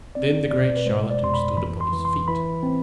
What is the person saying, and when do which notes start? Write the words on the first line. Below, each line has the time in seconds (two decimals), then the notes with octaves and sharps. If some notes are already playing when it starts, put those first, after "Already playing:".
Then the great charlatan stood upon his feet.
0.15 C4 D5
0.51 B2 D5
0.77 B4
0.86 G#3 C5
1.10 D5
1.22 F2 C6
1.34 B5
1.57 E3 B5
1.81 C6
1.92 E3
2.05 C6
2.28 E3 B5
2.63 C4